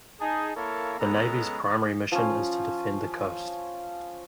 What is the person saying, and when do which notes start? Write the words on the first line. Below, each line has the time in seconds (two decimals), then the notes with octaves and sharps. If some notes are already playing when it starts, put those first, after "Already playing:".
The Navy's primary mission is to defend the coast.
0.21 D#4 G#4 A5
0.57 A#3 E4 A4 A#4 C#5 F5
0.99 G#3 B3 C#4 A4 A#5 B5
2.12 F3 C#4